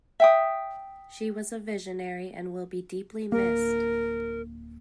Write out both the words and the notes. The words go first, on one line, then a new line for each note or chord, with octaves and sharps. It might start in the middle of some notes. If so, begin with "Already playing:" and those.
She was a visionary and will be deeply missed.
E5 G5 D#6
D1 A#3 A#4